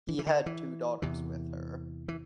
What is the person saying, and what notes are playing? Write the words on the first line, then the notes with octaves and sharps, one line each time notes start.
He had two daughters with her.
E3
E3
D3
E3
E2 C3 E3
E3